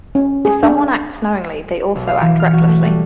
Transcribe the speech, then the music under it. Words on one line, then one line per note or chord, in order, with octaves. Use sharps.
If someone acts knowingly, they also act recklessly.
C#4
G#4
D4
B1
F5
E3
F6
F#4
A3
G3